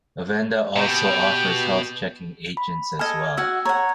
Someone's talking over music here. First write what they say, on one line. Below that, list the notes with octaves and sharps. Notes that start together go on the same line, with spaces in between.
Avenda also offers health checking agents as well.
B2 G4
B5
A4 D#5 G#5 F6 G#6
F#4 F#5 G#5 E6
C#5 F#5 A#5